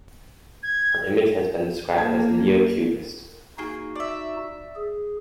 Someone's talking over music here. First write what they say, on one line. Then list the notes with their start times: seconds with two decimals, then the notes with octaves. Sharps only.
Her image has been described as "neo-cubist".
0.63 G#6
1.97 A#3 A5 G#6
3.58 A#3 D#4 F#4 G#4
3.95 D5 E5
4.75 G#4